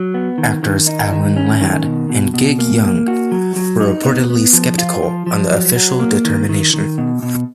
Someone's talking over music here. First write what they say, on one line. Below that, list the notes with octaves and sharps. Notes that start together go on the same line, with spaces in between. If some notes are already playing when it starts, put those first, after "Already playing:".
Actors Alan Ladd and Gig Young were reportedly skeptical of the official determination.
Already playing: F#3
B3
D#3
D#3
D#4
D#3
C#4
D#3
B2
B2
B2
A#3
A#3
F#4
F#3
F#3
D#4
B3
B3
F3
F4
F3
F3
F#3
F#3
A#3
D#3
D#3
D#3
B2
B2